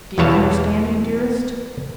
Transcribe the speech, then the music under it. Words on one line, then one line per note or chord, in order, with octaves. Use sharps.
Do you understand me, dearest?
E2 B2 E3 C#5 F5 A5